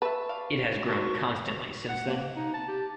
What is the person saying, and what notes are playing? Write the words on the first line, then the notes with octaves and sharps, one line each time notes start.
It has grown constantly since then.
B4 E5 A5 C#6
D5 F5
D4 D#4 F#4 A#4 C5 C#6
F#5
A#3
D#4
A5
G4